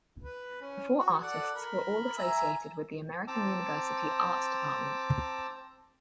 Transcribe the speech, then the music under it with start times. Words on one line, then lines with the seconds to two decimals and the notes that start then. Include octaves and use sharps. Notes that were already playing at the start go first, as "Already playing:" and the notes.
The four artists were all associated with the American University art department.
0.23 B4
0.61 C#4
0.98 F#4
1.23 A4 D5 F#5
1.55 A#4 B5
2.18 E5 G#5 A#5
3.28 C4 A5 A#5 D6 E6